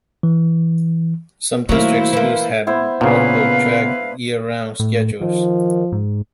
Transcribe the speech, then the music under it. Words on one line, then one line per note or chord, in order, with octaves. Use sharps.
Some district schools had multiple-track, year-round schedules.
E3
D#3 F#3 A3 A#3 E4 C5
E3 A#3
B3 E4 C5
A#2 C#3 B3 D4 B4 F5
A2
D#3 F3
G#2